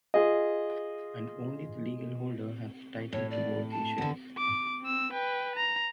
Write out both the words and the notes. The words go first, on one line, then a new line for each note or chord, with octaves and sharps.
And only the legal holder has title to vote the shares.
F4 G#4 D#5
A2 C#5
D5
A5
D3 B3
D6
C4 E6
B4 G5
A#5